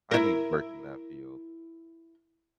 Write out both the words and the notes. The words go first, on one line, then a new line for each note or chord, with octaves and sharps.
I need work in that field.
E4 A#4